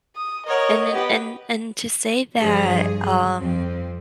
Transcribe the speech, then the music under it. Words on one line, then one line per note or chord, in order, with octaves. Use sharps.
And then, and and to say that, um,
D#6
A#4 C#5 D#5 F#5
B3 G4 F#5
G2 F3 G#4
F2 C4